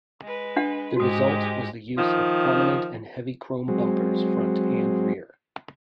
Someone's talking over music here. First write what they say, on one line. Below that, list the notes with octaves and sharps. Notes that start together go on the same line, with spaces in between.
The result was the use of prominent and heavy chrome bumpers front and rear.
G#3 B4
D4 F#5
G#2 G#3 F#4 G4 D#6
D#3 F3
F#3 G#3 C4